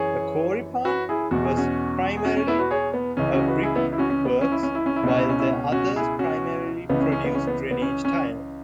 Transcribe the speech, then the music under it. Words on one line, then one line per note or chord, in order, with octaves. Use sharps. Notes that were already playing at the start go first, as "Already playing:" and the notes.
The Cory plant was primarily a brickworks, while the others primarily produced drainage tile.
Already playing: F#2 E3 G#4 C#5
F#4 B4
E4 G#4
E2 B2 F#4
G#4
C#4 F#4
G#4
C#4 F#4
C#4
B3 E4
F#4 B4
G#4 C#5
B3
C#2 C#3 E3 C#4
C#4 F#4
F#4 B4
E4 G#4
B3 E4
E4
C#4 F#4
C#4
B3
C#4
E4
C#4
E4
C#4
E4
C#2 B2 C#4
E4
C#4
E4
C#4
C#4 F#4
E4 G#4
C#4 F#4
C#2 C#3 E3 B3
C#4
C#4
B3
C#4
B3
B3
C#4
C#4